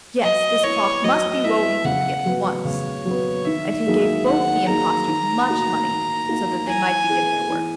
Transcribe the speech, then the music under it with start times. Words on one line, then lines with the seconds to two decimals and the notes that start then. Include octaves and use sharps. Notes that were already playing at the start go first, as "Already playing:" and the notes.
Yes, this cloth must be woven for me at once.' And he gave both the impostors much money, so that they might begin their work.
0.23 F#3 D#5
0.63 B3 E4 C#5
1.04 F#3 D#5
1.44 B3 E4 E5
1.85 C#3 F#5
2.25 F#3 B3
2.65 C#3 C#5
3.05 F#3 B3
3.45 D#3 E5
3.87 F#3 A#3 D#4 G#4
4.26 D#3 F#5
4.67 F#3 A#3 D#4 G#4 A#5
5.07 D#3
5.48 A#3 D#4 F#4
5.88 D#3
6.29 A#3 D#4 F#4
6.68 E3 G#5
7.09 B3 E4 G#4
7.49 E3